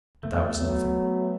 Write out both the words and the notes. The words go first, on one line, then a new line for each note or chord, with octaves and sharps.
But that was nothing.
A3
F#3 B3